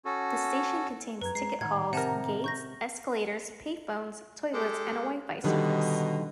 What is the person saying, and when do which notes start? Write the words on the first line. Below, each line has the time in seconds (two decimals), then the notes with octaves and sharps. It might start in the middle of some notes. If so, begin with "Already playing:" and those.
The station contains ticket halls, gates, escalators, payphones, toilets and a Wifi service.
0.05 C#4 F#4 A4
1.22 F#2 B4 A#5 G#6
1.35 G#3 C7
1.61 A2 D#3 F#5 G#6
1.93 C3 A#4 F#5 A5
2.44 C#6 G6 A#6
4.54 G#3 G4 A4
5.44 B2 D3 D#3 G3 D#4